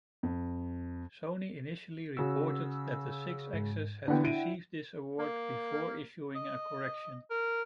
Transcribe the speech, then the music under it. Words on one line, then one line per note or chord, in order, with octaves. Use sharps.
Sony initially reported that the Sixaxis had received this award before issuing a correction.
F2
C#3 F#4 E6
G#2
D3 E3 B3 D4 F#5 G5
E4 D7 D#7
A#3
D#5
A#4